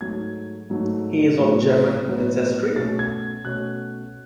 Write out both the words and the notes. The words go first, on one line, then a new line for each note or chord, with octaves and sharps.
He is of German ancestry.
G#2 F#3 A3 G#6
G#2 F#3 A3
A2 F#3 B3
A2 F#3 B3
B2 A3 C#4 A6
G#6
B2 A3 C#4 F#6